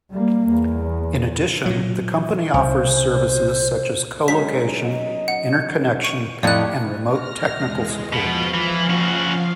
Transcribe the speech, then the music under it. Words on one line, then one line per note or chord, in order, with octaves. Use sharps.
In addition, the company offers services such as colocation, interconnection and remote technical support.
G3 A#3
E2
A#2 F#3
C2 C5
F#3 G#3 C#4 D#4 B6
D#5
F#5
C#6 D#7
F2 A2 D#4 G4 D5 F#6
F6 A#6
E2 G#3
B2 F3 F5
E3
C#3 F#4